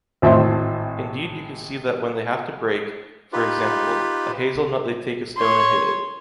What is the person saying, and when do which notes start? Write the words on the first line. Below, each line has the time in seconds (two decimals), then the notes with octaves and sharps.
Indeed you can see that when they have to break, for example, a hazelnut they take a stone and hit it.
0.22 G#1 A2 C4 E5 A5 C6
3.33 D#4 F4 G4 B4
5.37 C#5 C6